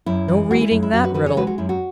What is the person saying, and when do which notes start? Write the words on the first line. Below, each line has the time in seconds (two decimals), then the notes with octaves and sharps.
No reading that riddle!...
0.06 F#2 E4
0.28 E3
0.51 G#3 F#4
0.60 E4 G#4
0.71 F#2 E4
0.83 E4
0.93 F#2 F#4
1.04 F#4 B4
1.14 E3 F#4 B4
1.26 G#4 C#5
1.37 G#3 F#4 B4
1.47 F#4
1.58 F#2 E4
1.69 F#4